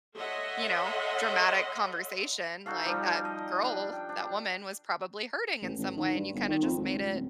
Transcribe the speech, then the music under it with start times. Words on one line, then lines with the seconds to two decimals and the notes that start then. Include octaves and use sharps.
you know, dramatic conversation like that girl, that woman was probably hurting in some way and you kinda just made it.
0.17 A4 C#5 D#5 E5 F#5 C6
2.66 D#4 F#4 A4 F5
2.85 F3 G3
3.25 D#5
3.63 D4
3.93 G5
4.09 D4
5.62 A1
5.78 A1
5.97 D#3
6.15 G2
6.34 G1
6.48 D#3
6.62 F2
6.77 G#1
6.94 C#2
7.12 D1